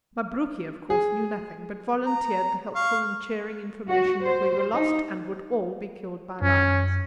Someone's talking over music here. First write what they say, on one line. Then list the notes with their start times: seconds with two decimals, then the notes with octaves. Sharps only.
Mabruki, of course, knew nothing, but volunteered the helpful and cheering information that we were lost and would all be killed by lions.
0.90 G#4
2.06 A#5
2.76 F5 C#6
3.88 F#4
4.22 C5
4.74 D#4
6.41 F#2 C#4